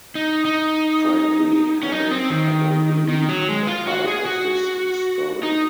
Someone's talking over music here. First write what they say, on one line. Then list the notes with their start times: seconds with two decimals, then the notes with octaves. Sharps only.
Frankly, Hannay, I don’t believe that part of his story.
0.15 D#4
0.45 D#4
1.83 C#4
1.92 D#4
2.11 C4
2.30 D#3
3.09 D#3
3.29 F#3
3.49 G#3
3.67 F4
3.87 F#4
4.07 G#4
4.26 F#4
5.43 D#4